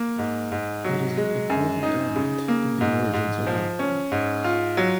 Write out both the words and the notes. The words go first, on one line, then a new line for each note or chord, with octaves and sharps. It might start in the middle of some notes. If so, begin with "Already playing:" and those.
It is an important element in the origins of opera.
Already playing: A#3
G#2
G#2
F#3
G#3
F#2
D#4
C#3
A#3
G#2
G#2
F3
C#4
G#2
F4
F#3